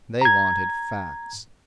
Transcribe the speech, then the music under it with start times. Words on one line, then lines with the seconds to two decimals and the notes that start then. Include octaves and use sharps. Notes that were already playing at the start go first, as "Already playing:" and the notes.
They wanted facts.
0.21 A#5 G#6